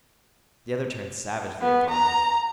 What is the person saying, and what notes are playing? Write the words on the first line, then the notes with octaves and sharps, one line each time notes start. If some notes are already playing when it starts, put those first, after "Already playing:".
The other turned savagely upon him.
B3
A#5